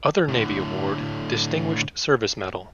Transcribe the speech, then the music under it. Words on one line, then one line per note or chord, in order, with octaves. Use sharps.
Other Navy award: Distinguished Service Medal.
A2 D3